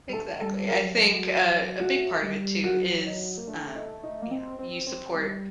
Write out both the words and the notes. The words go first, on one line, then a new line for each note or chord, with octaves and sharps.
Exactly. I think a a big part of it too is, um, you know, you support
G3
A3 A4
G3 A4
F#3 A#4
F#3 A4
A3 F#4
G3
F#3 F#4
D#4
A#3
A3 D4
D#4
D#4
A#3
C4
C4
C4
G3